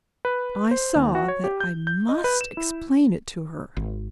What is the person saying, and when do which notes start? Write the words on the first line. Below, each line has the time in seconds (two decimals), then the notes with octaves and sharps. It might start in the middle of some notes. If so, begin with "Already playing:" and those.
I saw that I must explain it to her.
0.25 B4
0.71 C5
0.95 D#2
1.15 F#4
1.28 C#5
1.44 G4
1.60 G6
1.87 G6
2.09 D#5
2.24 B4
2.41 E7
2.57 E4
3.77 G#1